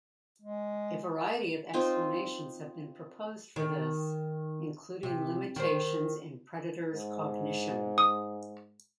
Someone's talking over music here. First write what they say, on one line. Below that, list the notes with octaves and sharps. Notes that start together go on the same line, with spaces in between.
A variety of explanations have been proposed for this, including limitations in predators' cognition.
G#3
C4 D#4 F4
D#3
C3
D#3 C5
G#2
D#6